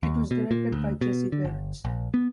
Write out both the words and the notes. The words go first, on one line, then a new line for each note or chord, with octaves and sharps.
It was directed by Jesse Peretz.
D#2
B2
A#2
D2
B2
D3
G1
A#1
B3